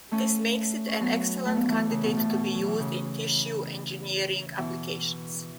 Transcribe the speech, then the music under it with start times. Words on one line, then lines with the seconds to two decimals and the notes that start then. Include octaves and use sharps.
This makes it an excellent candidate to be used in tissue engineering applications.
0.11 A3 C#4
0.88 C#4
1.01 F#3 B3
1.46 A3
1.57 B3
1.68 E3 A3
1.90 C#3
2.03 B2
2.17 A2
2.30 B2
2.55 F#3
2.67 E3
2.80 C#3
4.57 B2 E3